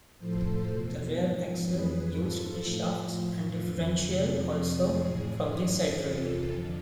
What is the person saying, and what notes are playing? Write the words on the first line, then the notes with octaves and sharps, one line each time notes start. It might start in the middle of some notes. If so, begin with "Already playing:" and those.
The rear axle used the shafts and differential also from the Cedric.
A2 F3 A4 C5
E2 B2
G#2 F3
F2 E3 G#4 B4
G#2 F3 F4 A4
A2 F3 F4
A2 F3 F4
F2 D3 F3
F2 C3 F3
F2 C3 F3 G#4
A2 E3 G#4
G#2 E3 G#4
E2 C3 E3 F4 A4
F2 D3 F3